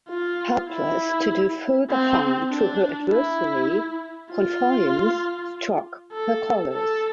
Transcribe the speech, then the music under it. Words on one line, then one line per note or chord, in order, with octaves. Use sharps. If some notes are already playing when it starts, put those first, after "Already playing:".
Helpless to do further harm to her adversary, "Confiance" struck her colors.
F4
E4
C4
D4
E4
F4
A4
A4